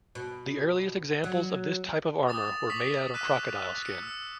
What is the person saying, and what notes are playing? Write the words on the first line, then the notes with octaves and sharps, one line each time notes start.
The earliest examples of this type of armor were made out of crocodile skin.
B2
F#3
D6 D#6 A6 E7
C#6 D6 A6 B6 F#7
E6 F#6 B6 D#7 E7
F#6
B6 C#7
E6